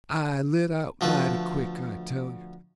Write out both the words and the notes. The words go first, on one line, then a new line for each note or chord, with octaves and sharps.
I lit out mighty quick, I tell you.
D2 F3 A3 B4